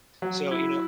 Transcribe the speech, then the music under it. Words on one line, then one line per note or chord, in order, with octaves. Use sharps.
So, you know
F#3
E4